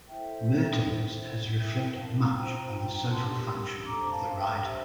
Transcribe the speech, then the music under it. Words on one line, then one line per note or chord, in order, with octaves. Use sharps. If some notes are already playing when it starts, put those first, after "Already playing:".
Mertens has reflected much on the social function of the writer.
E4 A4 C5 E5 G5
E4 A4 C5
E4 A#4 E5 G5
F5 A5
F4 C5 G5 A#5
G5 A#5
D4 G4 A#4 A5 C6
C6 E6
D4 A4 C5 A#5 D6
F5 A5
E5 G5
D4 G4 C5 E5